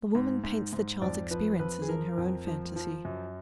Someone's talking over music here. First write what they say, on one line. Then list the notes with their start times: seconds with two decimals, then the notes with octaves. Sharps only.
The woman paints the child's experiences in her own fantasy.
0.15 G#2
0.44 G#2
0.73 G#2
1.02 F2 D5
1.31 F3 B4
1.59 F2 B4
1.82 G#4
1.89 F3 A#4
2.18 F2
2.47 F3
2.76 F3
3.05 F#2